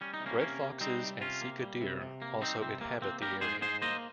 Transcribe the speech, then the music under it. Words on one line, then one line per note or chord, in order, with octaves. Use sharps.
Red foxes and sika deer also inhabit the area.
G3 C#4
D#4
C3
A#3 C#4
C3 A#3 C#4
A#3
G3 C4 D#4
C3
C3 C#4 F4
A#3
G3
C3
C3
A#3
G3 C4 D#4
C3 C4
C3 A#3
A#3 C4
G3 G4 A#4
G#2 G#4 C5
G#2 G#4 C5
A#3 C5 D#5